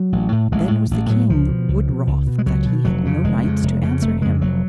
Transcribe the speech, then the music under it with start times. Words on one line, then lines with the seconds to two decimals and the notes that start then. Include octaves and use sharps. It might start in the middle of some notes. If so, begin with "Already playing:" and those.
Then was the king wood wroth that he had no knights to answer him.
Already playing: F#3
0.12 A1
0.32 A2
0.52 A1 G#3
0.71 A2
0.91 A1
1.10 A2 F#3
1.29 C#2 F3
1.48 B2
1.68 C#2
1.88 B2
2.07 C#2
2.27 B2
2.38 G#3
2.46 C#2 F#3
2.66 B2
2.85 F1 F#3
3.05 F2 C#3
3.24 F1 G#3
3.44 F2 C#3
3.63 F1
3.83 F2 C#3
4.02 F1 A3
4.22 F2 C#3 G#3
4.41 F1 F#3